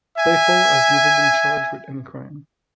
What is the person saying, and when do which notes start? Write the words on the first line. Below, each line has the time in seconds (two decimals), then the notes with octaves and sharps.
Flaifel has never been charged with any crime.
0.18 E5 G#5